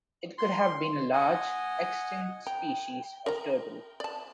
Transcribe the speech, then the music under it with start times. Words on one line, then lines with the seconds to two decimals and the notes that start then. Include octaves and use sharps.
It could have been a large, extinct species of turtle.
0.39 C6
1.13 D#5 F#5 G#5
2.47 G5 A#5
3.26 A#4 D#5 A#5
4.00 D5 A5